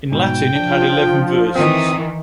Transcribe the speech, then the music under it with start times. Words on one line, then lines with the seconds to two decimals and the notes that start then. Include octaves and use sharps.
In Latin, it had eleven verses.
0.12 G#2 B2 G5
0.56 F3 D4
1.56 D#3 E3 C4 D#6